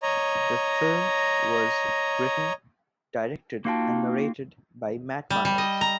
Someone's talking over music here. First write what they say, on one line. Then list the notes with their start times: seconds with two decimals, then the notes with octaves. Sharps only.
The film was written, directed, and narrated by Matt Myers.
0.02 C#5 D#5 A#5
3.65 A#3 D#4 F4 F#4 G5 A5
5.30 G3
5.45 G3
5.58 D#5
5.81 A#5